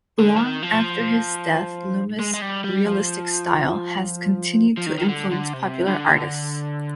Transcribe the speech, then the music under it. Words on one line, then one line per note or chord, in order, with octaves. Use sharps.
Long after his death, Loomis' realistic style has continued to influence popular artists.
D3
F3
D#3
F3
G#3
G#3
G3
G3
F3
F3
D#3
D#3
D3
D3
C3
D3